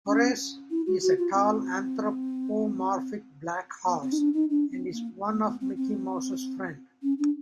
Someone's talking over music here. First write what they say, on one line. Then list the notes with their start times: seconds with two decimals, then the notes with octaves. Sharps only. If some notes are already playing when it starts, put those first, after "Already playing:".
Horace is a tall anthropomorphic black horse and is one of Mickey Mouse's friends.
0.07 C#4
0.70 E4
0.86 F#4
1.02 F#4
1.18 F4
1.33 C4
3.86 B3
4.02 C4
4.12 D#4
4.18 D4
4.33 D#4
4.50 D4
4.70 C4
4.91 A#3
5.28 A#3
5.45 B3
5.60 C4
5.76 C4
7.02 C#4
7.18 D4